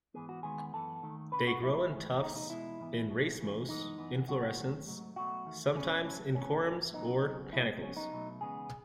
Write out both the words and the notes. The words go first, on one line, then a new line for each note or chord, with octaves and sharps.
They grow in tufts, in racemose inflorescences, sometimes in corymbs or panicles.
G#2 E3 B3 G#4
F#4
D#2 D#3 G#3 B3 G#4
F#2 E3 B3 A4
D#2 D#3 A3
C#2 C#3 B4
F#4
A2 F#3 A3 E4
G#2 E3 A3
E2 B2 A3 D#4
D#4
E2 B2 G#3 E4
G#2 E3 B3
B1 B2 F#3
E2 C#3 E3
F#2 E3 G#3 B3 D#4
F#2 E3 B3
B1 B2 F#3 B3 F#4
F#2 D#3 A3
G#2 F#3 A3
B1 B2 F#3 A3 F#4
E2 D#3 A3
E2 B2 A3 C#4
A2 F#3 A3
A2 E3 B3 C#4
A2 E3 A3
C#2 C#3 F#3 B3 D#4
C#2 C#3 F#3 B3
B1 B2 G#3 E4
C#2 C#3 F#3 B3 C#4
D#4
B1 B2 F#3 A3
E2 C#3 G#3 B3 G#4